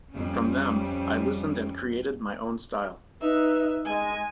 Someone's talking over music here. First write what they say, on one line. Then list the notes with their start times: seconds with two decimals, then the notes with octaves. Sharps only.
From them, I listened and created my own style.
0.10 F2 G3 C#4
3.21 D#4 B4 E5
3.85 G#3 G#5